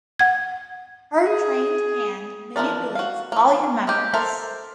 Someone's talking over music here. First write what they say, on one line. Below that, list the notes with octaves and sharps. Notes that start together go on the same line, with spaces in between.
Her trained hand manipulates all your members.
F#5 G#6
G#4
E3 F3 D4 A#4 D5
F#4 F5
F3 A#3
G#3 A#3 G4
A4 A#4 C5 E5 A#5